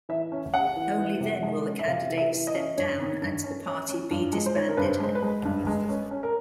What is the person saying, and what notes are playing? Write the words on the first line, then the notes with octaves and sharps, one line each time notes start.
Only then will the candidate step down and the party be disbanded.
E3 E5
C#4
C#4 F#5
E3
E3
C3
G#3
C#4
E5
C3 F5
E3
E5
E3
D#5
C#4
G2 C#5
D#3
G2
C#4
C#4
C#4
G2
G#3
C5
D#3 C#5
A#4
G2 B4
C5
G#3 C5
B4
G#3
G2
G#3
C#4
C#4
A#4